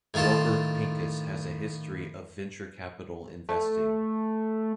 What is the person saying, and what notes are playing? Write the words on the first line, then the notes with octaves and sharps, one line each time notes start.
Warburg Pincus has a history of venture capital investing.
A2 D#3 F4 A4 C6
A3